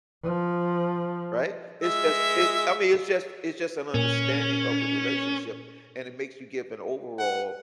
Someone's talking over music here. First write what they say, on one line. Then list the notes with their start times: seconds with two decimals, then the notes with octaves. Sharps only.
Right? It's just, it I mean, it's just it's just an understanding of the relationship, and it makes you give an overall
0.23 F3
1.83 G#3 E5
3.94 A#2 C#4
7.18 F#5